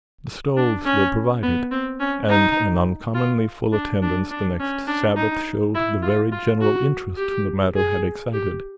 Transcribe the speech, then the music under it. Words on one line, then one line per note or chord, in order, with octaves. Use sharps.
The stoves were provided, and an uncommonly full attendance the next Sabbath showed the very general interest the matter had excited.
D4
C#4
B3
C4
C#4
D#4
F4
D4
D4
D4
C#4
D4
D#4
E4
F4
F4
F#4
G4
G#4
G4